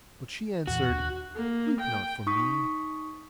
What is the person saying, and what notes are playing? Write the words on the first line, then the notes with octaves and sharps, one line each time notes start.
But she answered, 'Weep not for me.
E2 A#2 E3 F#4
D#2 D4
A#3
G5
D#4 C#6 D#6 B6